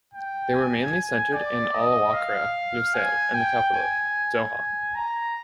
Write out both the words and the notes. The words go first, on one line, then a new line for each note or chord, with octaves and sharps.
They were mainly centered in Al Wakrah, Lusail and the capital Doha.
G5
G#5
G#5
D5
D#5
F5
G#5
G5
G#5
A#5